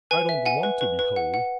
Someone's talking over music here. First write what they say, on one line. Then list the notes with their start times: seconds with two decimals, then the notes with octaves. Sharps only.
I don't want to be holy.
0.11 B4 G#5
0.29 E5
0.45 F#5 G#5
0.63 B4
0.81 B4
0.99 B4
1.16 F#5
1.34 F#5